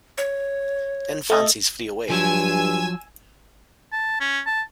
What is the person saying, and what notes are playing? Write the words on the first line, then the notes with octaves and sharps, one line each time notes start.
Then fancies flee away!
C#5
A3 A4 D#5
G2 F3 F#3 G#5 E6 G#6
A5
C#4
A5